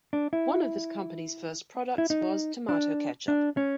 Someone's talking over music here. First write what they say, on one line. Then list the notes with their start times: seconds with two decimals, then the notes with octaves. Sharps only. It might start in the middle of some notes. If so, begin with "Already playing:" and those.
One of this company's first products was tomato ketchup.
0.13 D4
0.33 E4
1.98 E4
2.10 D#4
2.69 D4
3.28 D4
3.57 C#4